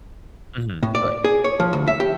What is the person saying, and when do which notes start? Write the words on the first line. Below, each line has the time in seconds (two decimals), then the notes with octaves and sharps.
Mhm. Right.
0.83 A2
0.95 D5
1.24 G#4
1.44 C#5
1.60 F3
1.73 D2
1.88 E5
2.00 G4